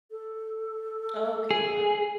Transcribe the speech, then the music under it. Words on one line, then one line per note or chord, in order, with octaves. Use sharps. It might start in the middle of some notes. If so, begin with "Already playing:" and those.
Okay, got it.
A4
G#4